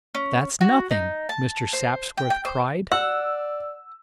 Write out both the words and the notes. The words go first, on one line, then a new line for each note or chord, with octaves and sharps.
"That's nothing," Mr. Sapsworth cried.
C#4
F#4
D#4
A5
C5
G5
G5
C5
D5 F#5 E6